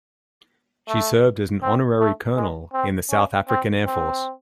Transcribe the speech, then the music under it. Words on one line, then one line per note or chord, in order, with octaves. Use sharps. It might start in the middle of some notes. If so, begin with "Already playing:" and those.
She served as an Honorary Colonel in the South African Air Force.
A3
C4
A3
G#3
C4
C#4
C4
C4